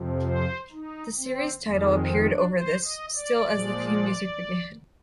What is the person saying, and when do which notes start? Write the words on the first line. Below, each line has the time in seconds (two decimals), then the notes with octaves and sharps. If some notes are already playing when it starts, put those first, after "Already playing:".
The series' title appeared over this still as the theme music began.
Already playing: F2 C3 F3
0.26 C5
0.72 D#4
1.18 C4
1.63 F2 D#3 G#3 A#3
1.94 C4
2.24 D4
2.55 C5
2.85 D#5
3.15 D5
3.46 A#2 F3 G#3